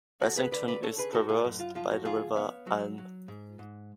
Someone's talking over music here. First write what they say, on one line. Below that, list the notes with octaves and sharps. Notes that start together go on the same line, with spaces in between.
Bassington is traversed by the River Aln.
D2 F#4 A4
G#4 B4
D3 B4 D5
B4 D5
C#4 A4 C#5
G#4 B4
A2 F#4 A4
F4 G#4
F#2
F4
F3 F4
F#4
D2 F4 G#4
B3 C#5 F5
F#3
F#3
G#2
G#2